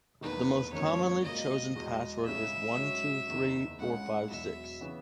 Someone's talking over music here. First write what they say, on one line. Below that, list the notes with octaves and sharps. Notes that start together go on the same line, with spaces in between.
The most commonly chosen password is one two three four five six.
E1 E2 D#3 A#3 D#4 B4
G#1 F#2 D#3 A#3 C#4 C#5
C#2 B2 A#3 D#5
E2 B2 G#3 D#5
C#2 C#3 G#3 E5
G#2 F#3 C#4
F#1 E2 D#3
C#2 C#3 G#3 F#5
E1 E2 B2 F#3 E5
C#3 E3 B3